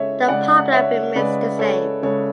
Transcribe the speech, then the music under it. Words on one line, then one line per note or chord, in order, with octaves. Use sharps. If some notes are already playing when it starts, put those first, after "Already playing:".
The problem remains the same.
Already playing: C#3 G#3 A4 C#5 E5
C#3 G#3 D5 F#5
C#5 E5
C#3 G#3 B4 D5
A4 C#5
C#3 G#3 A4 C#5